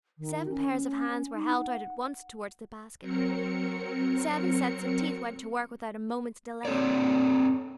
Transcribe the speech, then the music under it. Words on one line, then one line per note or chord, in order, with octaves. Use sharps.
Seven pairs of hands were held out at once toward the basket; seven sets of teeth went to work without a moment's delay.
D#3
C#4
D#4
F#5
F#3 C4 A#4 C#7
C4 A4 C#5 D5